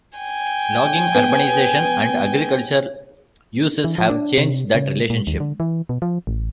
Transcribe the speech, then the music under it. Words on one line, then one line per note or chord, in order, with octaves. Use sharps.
Logging, urbanization, and agriculture uses have changed that relationship.
G5 G#5
B3
E3
F3
D4
C3
C#3
A#2
D#2
D3
E3
B2
F3
A1